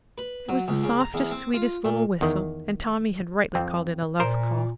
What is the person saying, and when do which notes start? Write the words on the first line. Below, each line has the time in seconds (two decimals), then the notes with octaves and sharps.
It was the softest, sweetest little whistle, and Tommy had rightly called it a love call.
0.18 B4
0.49 F#3
0.68 C#2
0.83 C#3
1.00 A#5
1.14 E2
1.31 C4
1.54 F4
1.85 A#2
2.21 E2 D#3
3.55 F2 C4
4.20 A#2 A#4 C5